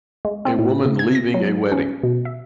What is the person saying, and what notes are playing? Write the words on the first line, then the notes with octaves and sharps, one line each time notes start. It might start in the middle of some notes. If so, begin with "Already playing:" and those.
A woman leaving a wedding.
G#3
C4
A2
C#3
G#6
A#6
F#3
C#4
B2
E5